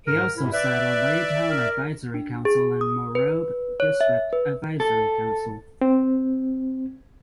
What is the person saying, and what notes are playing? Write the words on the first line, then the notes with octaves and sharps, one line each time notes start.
He also sat on Lae Town Advisory Council and Morobe District Advisory Council.
G#2 A#4
G#2 C3 E4
B4 D5 E5
A#4
D4
G#4
D#6
B4
C#5
E5
B4
A4
C4